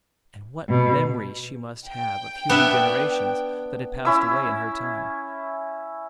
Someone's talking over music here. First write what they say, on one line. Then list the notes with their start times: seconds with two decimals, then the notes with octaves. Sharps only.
And what memories she must have of human generations that had passed away in her time.
0.69 B2
1.88 G5
2.49 B3 D4 E5
4.05 C#4 E4 E6